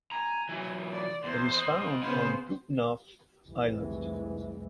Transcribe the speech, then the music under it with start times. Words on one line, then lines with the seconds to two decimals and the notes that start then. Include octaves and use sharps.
It is found on Goodenough Island.
0.12 G#5 A#5
0.49 E3 F#3
0.92 D5
1.24 E2 C5
1.55 D#5 F#5
2.03 C#3 B3 C#4 C5
3.47 F1 C2 E3 G#3